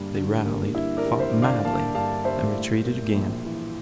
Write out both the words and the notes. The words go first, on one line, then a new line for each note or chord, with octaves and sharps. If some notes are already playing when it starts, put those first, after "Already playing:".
They rallied, fought madly, and retreated again.
Already playing: G2 D3 G3 A#3
D3
A#3
G2 E4
A#4 D5
G3
C5 E5
D3
D5 F5
A#3 F5 A5
G2 F5 A5
G3 C5 E5
A2
A#3
A#1
E3